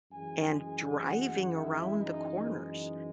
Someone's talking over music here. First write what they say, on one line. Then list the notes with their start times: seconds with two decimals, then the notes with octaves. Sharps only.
and driving around the corners
0.11 F#2 E3 G#3 G#4 G#5
0.58 G#4 G#5
1.05 F#4 F#5
1.52 E4 E5
1.99 D#4 D#5
2.46 D#4 D#5